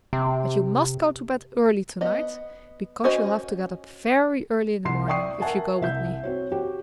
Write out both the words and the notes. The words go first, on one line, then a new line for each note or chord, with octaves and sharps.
But you must go to bed early to-night, because you'll have to get up very early in the morning, if you go with me!
C3
B3 D#5
C#4 F#4 C5 D#5 G#5
C2 C6 C7
D5 E5 G5 C#6 D#6 C7
A#4 E5 F#5 G#5 A5
C2 E5 G6
C4 F#4 C#5
F#4 G4 G5